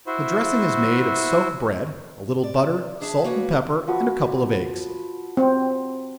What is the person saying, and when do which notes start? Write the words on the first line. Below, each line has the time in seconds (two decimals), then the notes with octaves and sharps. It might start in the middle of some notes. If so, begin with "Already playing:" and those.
The dressing is made of soaked bread, a little butter, salt, and pepper, and a couple of eggs.
0.07 E4 F#4 C5 E5
2.43 D5
3.01 D4 G#4 E5 A5
3.24 A#3 F#4 B4 C#5
3.88 F3 F#4 B4
5.37 C4